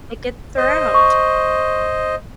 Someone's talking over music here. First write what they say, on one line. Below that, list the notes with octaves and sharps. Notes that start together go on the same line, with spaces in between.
It gets around.
C5 D#5
C#6